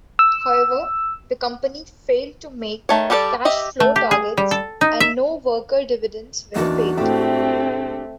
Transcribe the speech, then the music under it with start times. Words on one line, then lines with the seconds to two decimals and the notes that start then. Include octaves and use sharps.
However, the company failed to make cash-flow targets, and no worker dividends were paid.
0.19 E6
2.89 D#3 A3 C#5
3.10 G3 G4 A4 A#4 D5
3.45 G4 D#5 E5
3.80 A3
3.96 G4
4.11 G#4
4.37 G3
4.51 A4
4.81 D#4
5.00 E5
6.56 E2 A#3 D4 D#4 F#4
6.97 A2 G#3 A3 C4 D4 G4